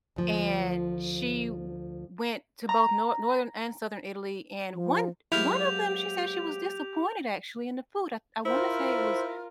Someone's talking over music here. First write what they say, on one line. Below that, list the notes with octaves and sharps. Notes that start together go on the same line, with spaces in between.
And she w went to both Nor Northern and Southern Italy, and one one of them, she said she was disappointed actually in the food I I wanna say it was
D2 F3
A#5
F3
G#2 F#3 A#3 E4 G4 F6 G6 F7
E4 F4 A#4 C5